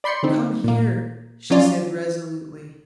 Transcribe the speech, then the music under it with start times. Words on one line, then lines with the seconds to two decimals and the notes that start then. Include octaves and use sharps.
"Come here," she said resolutely.
0.04 D5 B5 C6 G6 C#7
0.23 D3 C4 D#4
0.64 A#2 A#3
1.50 F3 F#3 C#4 F4 D5